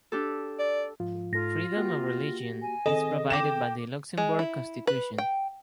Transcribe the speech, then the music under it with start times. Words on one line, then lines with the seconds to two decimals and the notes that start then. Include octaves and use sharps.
Freedom of religion is provided by the Luxembourg Constitution.
0.12 D4 G4 A4
0.59 D5
1.00 G#2 F3 F4
1.33 G#2 F4 A4 A#6
1.77 A#3 F#4 G4
2.62 G#5
2.86 D#3 C4 G#4 A4 D#5
3.30 G5 D6 A#6 E7
4.18 G#3
4.39 E4
4.87 B4
5.18 G5